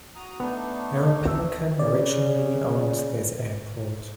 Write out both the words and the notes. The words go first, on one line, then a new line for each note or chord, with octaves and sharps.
Aeropelican originally owned this airport.
F#4 A#5 D#6
A3 B3 D4 D#4
E5
C#3 D5